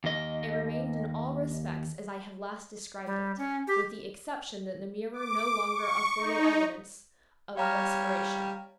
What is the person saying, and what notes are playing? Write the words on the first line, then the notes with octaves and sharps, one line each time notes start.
It remained in all respects as I have last described it, with the exception that the mirror no longer afforded evidence of respiration.
D#2 D#5
G3
C#4
G4
D6
C#6
D#4
G3 C#5 F5 A#5 F6